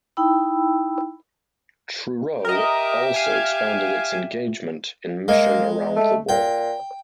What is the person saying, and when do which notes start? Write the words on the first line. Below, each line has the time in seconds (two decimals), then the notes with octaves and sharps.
Truro also expanded its engagement in mission around the world.
0.17 D#4 E4 G5 B5 E6
2.45 G4 A#4 D#5 E5
3.14 F5 G#5
5.28 G#3 A#3
5.96 A3
6.29 A#2 G5